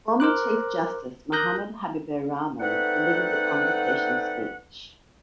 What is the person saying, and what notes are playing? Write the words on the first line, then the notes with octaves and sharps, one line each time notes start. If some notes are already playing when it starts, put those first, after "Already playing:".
Former Chief Justice Muhammad Habibur Rahman delivered the convocation speech.
A#4 C5 D6 F#6
A#4 D#6 F#6 G6 A#6
A3 C4 D#4 B4 D5 F#5